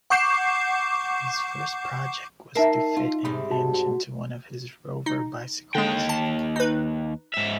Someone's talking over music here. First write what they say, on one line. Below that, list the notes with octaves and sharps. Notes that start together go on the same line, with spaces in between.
His first project was to fit an engine to one of his Rover bicycles.
F#5 C#6 D6 G6 C7 E7
D#4 A#4 E5 A5 C7
D#4 F4
G#2 C3 G3 B5
F#4 A5
F#4
D#4
D#2 D3 G#3 G5
A5
D#4 B4
G#2 E5